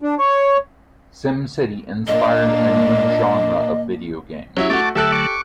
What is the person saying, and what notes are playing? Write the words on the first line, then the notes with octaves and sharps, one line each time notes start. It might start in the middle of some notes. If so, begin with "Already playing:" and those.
"SimCity" inspired a new genre of video games.
D4
C#5
A#2 A#3 D4 D#5
F#3 C#4 E4 G4
A3 F#4 A5 D6
D3 F#3 A3 G4 A4 E5 F#6
C#6 D6